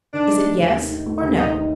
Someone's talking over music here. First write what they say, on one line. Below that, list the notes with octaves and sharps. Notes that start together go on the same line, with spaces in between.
Is it Yes or No?'
D#3 D4
D#4
A3
D#2
D#3
D#4
A3
D#2
D#3 D#4
D#4